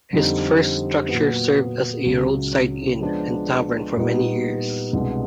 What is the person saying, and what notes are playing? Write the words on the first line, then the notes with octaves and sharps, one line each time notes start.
His first structure served as a roadside inn and tavern for many years.
F2 D3 G3 C4 D#4
A#2 F#3 B3
C#2 C#3 F#3
F3 G#3 B3 D4
A#2 G3 B3 D#4
C2 B2 G#3 B3 D4